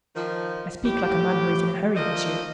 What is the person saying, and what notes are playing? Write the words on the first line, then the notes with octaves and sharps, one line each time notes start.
"I speak like a man who is in a hurry, monsieur."
D#3 F3
A2 G4
F3 A3 A#3 D4 D#5